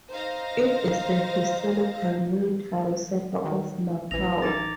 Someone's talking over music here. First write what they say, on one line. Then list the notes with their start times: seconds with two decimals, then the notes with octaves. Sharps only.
It is the historical military centre of Macau.
0.11 D#4 C5 F5 A#6
3.45 D#3 F#3
4.11 A1 E3 A#6 F7
4.42 D#4 D6 A6